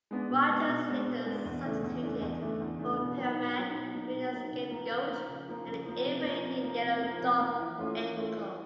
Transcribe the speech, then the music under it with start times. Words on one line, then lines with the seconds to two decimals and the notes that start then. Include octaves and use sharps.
Rogers later substituted for Pillman, being the scapegoat in the ill-fated Yellow Dog angle.
0.11 G#3 B3 D4
0.30 B2
0.49 G#3 B3 D4
0.68 B2
0.87 G#3 B3 D4
1.07 B2
1.25 G#3 B3 D4
1.45 E2
1.65 C#3 E3 A3 D4
1.83 E2
2.02 C#3 E3 A3 D4
2.21 E2
2.41 C#3 E3 A3 D4
2.60 E2
2.79 C#3 E3 A3 D4
2.99 B2
3.18 F#3 A#3 D#4
3.36 B2
3.56 F#3 A#3 D#4
3.75 B2
3.94 F#3 A#3 D#4
4.14 B2
4.33 F#3 A#3 D#4
4.52 C#3
4.71 F3 A#3
4.89 C#3
5.09 F3 A#3
5.28 C#3
5.48 F3 A#3
5.67 C#3
5.86 F3 A#3
6.05 C3
6.25 F3 A#3
6.44 C3
6.62 F3 A#3
6.82 C3
7.00 F3 A#3
7.20 C3
7.40 F3 A#3
7.59 E3
7.78 A3 C#4 F4
7.97 E3
8.16 A3 C#4 F4
8.36 E3